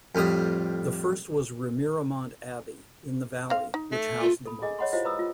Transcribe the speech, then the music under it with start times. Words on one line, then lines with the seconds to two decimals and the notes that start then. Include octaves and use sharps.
The first was Remiremont Abbey, in the valley, which housed the monks.
0.15 F2 A2 G3 D#6
3.50 C4 F5
3.74 D#4
3.92 A3
4.21 F4
4.46 A4 B5
4.62 G#4 D#5 G#5
4.79 C#5 D#5 F#5 B5 C6
4.93 E4 F4 G4 C5 D#5 F5
5.05 B4 A#5 B5 D#6 E6
5.19 F4